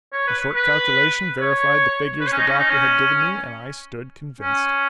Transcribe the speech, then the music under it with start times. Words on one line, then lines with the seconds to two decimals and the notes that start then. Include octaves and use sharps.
A short calculation verified the figures the Doctor had given me, and I stood convinced.
0.13 C#5
0.27 B4
0.56 B4
1.41 C#5
2.21 B4
2.27 C#5
2.32 C#4
2.38 D#4
2.48 C#4
2.59 D#4
2.70 C#4
4.41 C#4